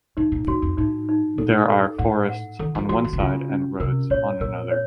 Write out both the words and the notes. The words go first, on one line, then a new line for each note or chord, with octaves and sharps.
There are forests on one side and roads on another.
A2 D#4
A#2
A2 F#4
F2
A2 D#4
D#4
A#2 A4
A4
A2 F#5
F#5
D#3 A4
F3
F3 F#4
D#3
C3
C#3 F4
C#4
C3 A#4
A#2 C#5
A#2 A#4
C#5